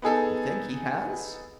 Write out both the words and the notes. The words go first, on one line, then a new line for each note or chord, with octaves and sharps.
"You think he has?"
B3 D#4 G#4 A4